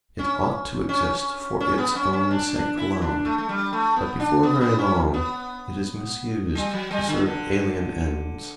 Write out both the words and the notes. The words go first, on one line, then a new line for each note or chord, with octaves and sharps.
It ought to exist for its own sake alone, but before very long it is misused to serve alien ends.
C#4
C#4
C#4
B3
C#4
C#4
D4
D4
E4
D4
A3
A3
G3
A3
B3
D4
B3
B3
C#4
B3
G3
F#3
G3
D3
D3